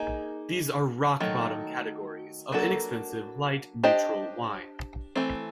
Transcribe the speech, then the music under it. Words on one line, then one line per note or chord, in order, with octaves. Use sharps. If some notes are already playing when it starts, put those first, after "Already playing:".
These are rock bottom categories of inexpensive, light, neutral wine.
Already playing: A#3 D#4 G#4
D#3 F#3 A3
F#3 A#3 D4 F#4 A4
D4 G4 C5 D#5
E3 A3 C4